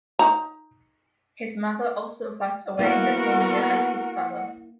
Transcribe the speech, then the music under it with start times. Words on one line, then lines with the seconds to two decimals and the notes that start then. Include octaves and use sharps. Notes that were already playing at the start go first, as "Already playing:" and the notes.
His mother also passed away in the same year as his father.
0.19 D#4 A#5
2.79 A#3 B3 E4 F#4 A#4 F#5